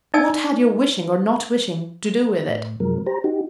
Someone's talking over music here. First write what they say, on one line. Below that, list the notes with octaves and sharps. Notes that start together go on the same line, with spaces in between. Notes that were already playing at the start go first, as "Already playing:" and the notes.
What had your wishing or not wishing to do with it?
D4 D#4 D5 G#5 A5 E6
A2
F#2 C3 F3 F#3 G#3 A#4
G4 C5 A#5
D#4 F#4 G4